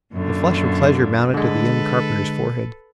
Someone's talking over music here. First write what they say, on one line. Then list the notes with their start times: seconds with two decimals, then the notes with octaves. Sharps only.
The flush of pleasure mounted to the young carpenter's forehead.
0.13 F#2 A#2 D3
1.34 D3 G#3 A4 B4